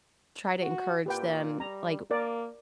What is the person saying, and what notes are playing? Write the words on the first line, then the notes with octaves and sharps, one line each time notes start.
try to encourage them, like,
F#4
A#2 G4 B4 G5
G3 A#5
A#3 A#4 D5